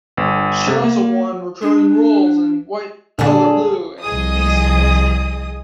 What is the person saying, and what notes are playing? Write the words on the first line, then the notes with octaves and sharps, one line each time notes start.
She also won recurring roles in "White Collar Blue" and "BeastMaster".
G1
C3
A#3
D4
A#2 D3 F#3 D4 G#4 A4
C2 F3 G#4 D#5 D#6